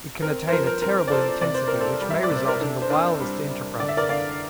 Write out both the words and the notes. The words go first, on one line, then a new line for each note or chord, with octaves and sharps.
It can attain a terrible intensity which may result in the wildest enterprises.
C4 A#4
C5
F3 A#4
A#4
C4 A#4
D5
C4 A4 C5
C3 D5
C5
C4 A#4
A4 C5
G3
E5
D5
C3 C5
A#4
D4 A4
C5
D4 A#4
G3
G3
D3 D5
E5
A#4 D5
D3 D5 F5